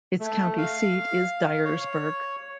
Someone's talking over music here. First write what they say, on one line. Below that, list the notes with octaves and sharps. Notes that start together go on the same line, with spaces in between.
Its county seat is Dyersburg.
A3
F5
C#5